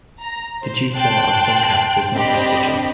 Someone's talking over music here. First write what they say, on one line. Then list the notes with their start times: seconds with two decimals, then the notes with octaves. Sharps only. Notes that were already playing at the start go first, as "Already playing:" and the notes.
The dewclaw on some cats is not vestigial.
0.21 A#5
0.61 C5
0.94 G5 A5 C6 F#6
2.12 C4 D4 G4 D#5 B5